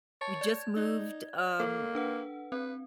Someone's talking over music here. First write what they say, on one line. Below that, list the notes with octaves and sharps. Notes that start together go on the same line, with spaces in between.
we just moved, um,
C#5 A5 A6
D5 G#6
D#4
A#3 A4
D4 B4 F#5
C4 B4